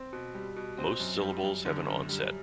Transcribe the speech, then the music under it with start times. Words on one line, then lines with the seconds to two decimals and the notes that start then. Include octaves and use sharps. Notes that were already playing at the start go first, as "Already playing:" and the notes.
Most syllables have an onset.
Already playing: C4
0.13 B2
0.35 G3
0.56 B2
0.78 C4
1.00 F#2
1.22 G3
1.43 F#2
1.65 D3
1.87 F#2
2.09 G3